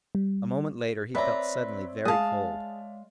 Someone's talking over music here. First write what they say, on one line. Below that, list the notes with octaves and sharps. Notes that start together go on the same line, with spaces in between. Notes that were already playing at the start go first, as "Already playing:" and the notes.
A moment later he felt suddenly very cold.
G3
C4 B4 C#5 D5 E5 A#5
G#3 G#4 F5 A5